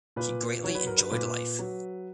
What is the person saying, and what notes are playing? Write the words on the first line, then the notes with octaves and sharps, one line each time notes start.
He greatly enjoyed life.
A#2 B4
F#3 C#5
B4
A#4
B4
A#2 B4
F#3